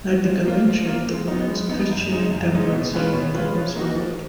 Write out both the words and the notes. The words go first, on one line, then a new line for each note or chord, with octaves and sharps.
At the convention, the Woman's Christian Temperance Union was founded.
F3
A#3 F4
F3
A#3 F4
G#3
B3 D#4
G#3
B3 D#4
F#2
C#3 G#3 D#4
F#2
C#3 G#3 D#4
B2
G#3 C#4 F4 B4
B2
G#3 C#4 F4 B4
F3
A#3 D#4 F#4
F3